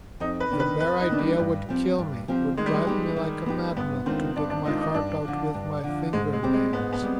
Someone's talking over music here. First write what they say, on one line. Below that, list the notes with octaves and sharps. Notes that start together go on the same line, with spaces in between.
The bare idea would kill me--would drive me like a madman to dig my heart out with my finger-nails!
F2 D#4
B4
D#3 B3 D4
B4
F2 B4
D#4
D#3 B3 D4
G3
G2 G3
F3 C4 G4
G2
F3 C4 G4
D#3 G#3
G3
G#3
B3 D#4 G4
D#3
B3 D#4 G4
G2 B3
D#3 G#3 C4 D4 F4
G2 D4
D4
D#3 G#3 D4 D#4 F4
D#4
G2 D4
D3 F3
G2
D3 F3
G#2 G#3
G#3
G3 C4 G4
G#3
G#2 B3
B3
G3 C4